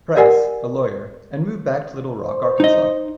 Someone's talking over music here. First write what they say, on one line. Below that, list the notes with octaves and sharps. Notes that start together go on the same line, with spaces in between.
Price, a lawyer, and moved back to Little Rock, Arkansas.
G4 A#4 D5 F#5 G#5
C5
D#4 D#5